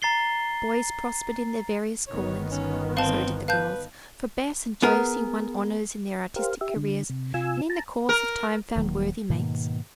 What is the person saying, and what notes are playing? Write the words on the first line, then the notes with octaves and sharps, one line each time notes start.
The boys prospered in their various callings; so did the girls, for Bess and Josie won honours in their artistic careers, and in the course of time found worthy mates.
A#5 A6 C7 G7
G1 D#3 B3 C#5
C#4
C4 F5 A5
B4 F5 A5 G6
B3 G#4 A#4
G4 A#4 C5 F5
G4 E5
D3
C3
C3 F4 G#5 E6
A5 A#5
A#4
D#1 D#3 F#3 A#3
G#2 B2 D#3 A#3